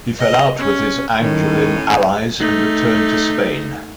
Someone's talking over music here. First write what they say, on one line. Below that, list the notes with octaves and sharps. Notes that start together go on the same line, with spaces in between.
He fell out with his Angevin allies and returned to Spain.
D#5
C#4
D#2 A2 D#3 C#4
A3 D#4